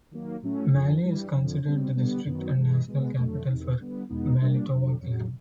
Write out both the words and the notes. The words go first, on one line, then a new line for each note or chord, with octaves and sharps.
Malie is considered the district and national capital for the Malietoa clan.
D#3 F#3 A#3
A2 F#3 A3 C#4
F2 D3 F3
G2 E3 G3
F2 D3 F3
B2 G3 C4
D3 G3 B3
F#2 D#3 F#3 B3
G2 E3 G#3
B2 G#3 B3
F2 D3 F#3 A3
E2 C3 D#3
D3 G3 B3
E2 B2 G#3 B3 D#4
A#2 G3 A#3 D4
F2 D3 F#3
F2 C#3 F#3